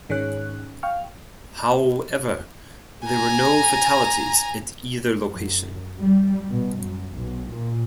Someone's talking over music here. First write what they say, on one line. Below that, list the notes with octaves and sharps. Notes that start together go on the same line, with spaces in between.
However, there were no fatalities at either location.
G#2 D#3 C#4 G#4 C#5 F#6
F5 G5 C#6 F6
G#5 A#5
F#2
G3
B2
F#2
B1
A#2